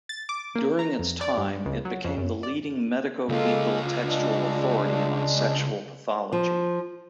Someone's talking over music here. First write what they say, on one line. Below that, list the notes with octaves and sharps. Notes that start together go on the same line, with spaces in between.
During its time, it became the leading medico-legal textual authority on sexual pathology.
A6
D6
A#3
A#5
F2
D5
G2
C#2
F#3
F2
F#2
D5
C#2 G#3 A#3 F4 A4
G#3 D4
F3